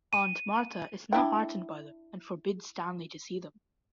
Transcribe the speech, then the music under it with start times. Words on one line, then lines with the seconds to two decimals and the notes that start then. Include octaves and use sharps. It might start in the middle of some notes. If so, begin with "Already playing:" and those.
Aunt Martha is not heartened by them and forbids Stanley to see them.
0.13 D#7
1.13 D4 E4 G5